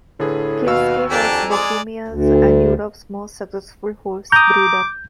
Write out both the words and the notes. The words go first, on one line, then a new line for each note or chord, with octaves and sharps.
Kinsky was Bohemia's and Europe's most successful horse breeder.
A2 D3 G#4 B4
D#2 B2 F#4 F5 E6
F2 D4 G4 G#5 A#5
G#3 D5
D2
A#5 D6 D#6 G6